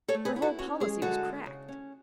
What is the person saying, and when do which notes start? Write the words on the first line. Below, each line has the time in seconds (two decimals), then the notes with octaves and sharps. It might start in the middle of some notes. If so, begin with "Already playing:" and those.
Her whole policy was cracked.
0.08 A4 C#5
0.15 A3
0.25 G#4 B4
0.36 E4
0.42 F#4 A4
0.59 C#4 F#4
0.80 G#3 G#4
1.02 D3 F#4 A4
1.25 G#3
1.46 C#3
1.69 C#4